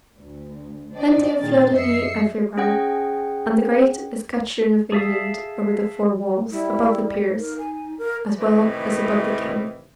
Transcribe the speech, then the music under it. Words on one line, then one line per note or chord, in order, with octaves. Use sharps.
Plenty of fleurs-de-lis everywhere, and the great escutcheon of England over the four walls, above the peers, as well as above the king.
D2
D4 C5 D5 D#5 G5
A#2 D#3 G#4 A6
F#2 D#5 E5 E6 C7 C#7
C#4 G#4 C#5 F#5 G5
G#4 A4 E5 F5 D#6
G3 E4
D#4 A#4
G#5
A#4
A2 C3 D#3 E3